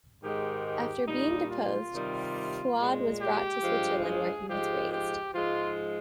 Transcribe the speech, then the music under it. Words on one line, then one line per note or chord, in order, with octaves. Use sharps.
After being deposed, Fuad was brought to Switzerland, where he was raised.
G#2 D#3 G#3 G4
G4
A#2 G3 D#4
F4
C3 D#3 G3
A#2 G#3
G4
G2 F3 G#3
G#4
G#2 F3 G#3 G4
G4
G#2 F3 G#3 F4